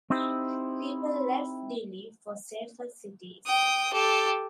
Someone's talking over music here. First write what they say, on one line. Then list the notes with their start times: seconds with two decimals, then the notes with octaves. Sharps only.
People left Delhi for safer cities.
0.10 C4 D#4 E4 G4 C5
3.46 G5 D#6
3.93 G4 A4